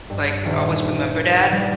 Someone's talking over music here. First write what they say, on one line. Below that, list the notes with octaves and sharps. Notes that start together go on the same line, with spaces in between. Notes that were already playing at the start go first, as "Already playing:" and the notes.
like, always remember that
G2
D#1
B4
G3